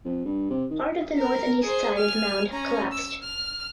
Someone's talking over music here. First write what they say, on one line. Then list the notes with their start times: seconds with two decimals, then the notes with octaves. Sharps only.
Part of the north and east side of the mound have collapsed.
0.05 F2
0.25 G2
0.50 C3
0.70 D#3
1.18 A#4
1.63 G#4 C5
1.97 G#5 F6
2.51 C#4 A#5
2.92 E6
3.23 F6